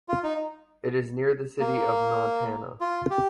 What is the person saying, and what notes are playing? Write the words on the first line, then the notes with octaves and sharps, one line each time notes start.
It is near the city of Montana.
F4
D#4
A#3
F4
G4